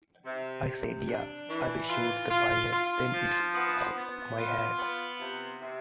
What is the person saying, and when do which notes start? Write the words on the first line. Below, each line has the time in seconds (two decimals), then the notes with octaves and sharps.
I said, yeah, I'll shoot the pilot, then it's out of my hands.
0.25 C3
0.66 C3
1.08 D4
1.49 E3
1.89 F4
2.30 F4
2.71 F4
3.13 F3
3.54 B3
3.95 B3
4.36 F4
4.78 B3
5.19 C3
5.59 C3